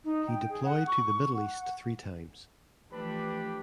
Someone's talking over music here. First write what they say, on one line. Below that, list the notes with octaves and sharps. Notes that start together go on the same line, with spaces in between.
He deployed to the Middle East three times.
D#4
G5
G#4
F#5
C#6
F#5
E3 F3 A3 D4 G4 B4 B5